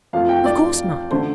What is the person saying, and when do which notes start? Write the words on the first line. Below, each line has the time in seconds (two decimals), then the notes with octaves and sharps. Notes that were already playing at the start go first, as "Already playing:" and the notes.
Of course not!
0.13 F2 F3 A3 F5
0.29 G5
0.45 D5
1.11 D3 A3 C5